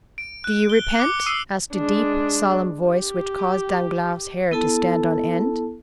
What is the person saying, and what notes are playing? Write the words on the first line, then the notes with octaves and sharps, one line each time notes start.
"Do you repent?" asked a deep, solemn voice, which caused Danglars' hair to stand on end.
D7
F#6
G7
D6 C#7
D#6 E6 C7 D#7
G#3 D4
G4
B3 E4 A4 A5